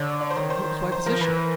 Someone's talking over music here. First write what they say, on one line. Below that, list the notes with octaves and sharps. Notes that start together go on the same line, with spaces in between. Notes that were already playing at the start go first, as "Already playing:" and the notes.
And what was my position?
Already playing: D3 C#5 D5
D5
C5
D#3 C#5
C5
C5
F3 A#4
E3 B4